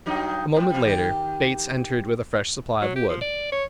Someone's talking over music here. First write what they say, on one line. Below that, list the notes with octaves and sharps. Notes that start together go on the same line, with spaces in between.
A moment later Bates entered with a fresh supply of wood.
G2 F#3 D#4
G#2 C4
A#2 F3 G3
D#3 G4
F#3
G4
F3
D5
C#5